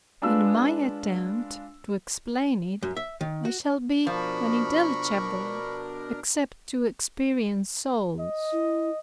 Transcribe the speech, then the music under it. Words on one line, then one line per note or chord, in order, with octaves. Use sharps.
In my attempt to explain it, I shall be unintelligible, except to experienced souls.
G#3 D4 F4 B4 E6
F#2
E5
D#3
F#4
B2 F3 D4 A#4 B5 C#6
D#5
E4